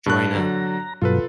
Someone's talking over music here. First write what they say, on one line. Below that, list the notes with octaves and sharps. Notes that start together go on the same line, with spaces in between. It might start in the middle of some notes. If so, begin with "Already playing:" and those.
join a
G2 A5 F#6
D3 F#3 A#5
G2 B2 F#3 F4 A4 B4